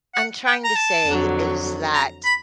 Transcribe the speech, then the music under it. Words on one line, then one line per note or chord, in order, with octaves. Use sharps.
I'm trying to say is that,
F#5
G5
A#5
A5
F2 D3 F#3
A#5
B5